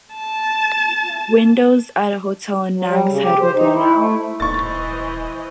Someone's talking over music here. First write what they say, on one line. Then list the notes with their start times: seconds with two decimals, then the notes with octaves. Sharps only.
Windows at a hotel in Nags Head were blown out.
0.15 A5
2.75 F#3
2.87 G3
3.09 C#3
3.23 G4
3.40 C5
3.55 D#4
3.73 E4
3.96 A3
4.40 D#1 E3 C5 D#5 C#6 A6